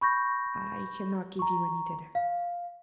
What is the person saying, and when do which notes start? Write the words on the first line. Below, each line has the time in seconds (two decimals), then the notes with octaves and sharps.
"I cannot give you any dinner."
0.01 B5 C#6 G6 A#6
1.39 A#5 C#6
2.15 F5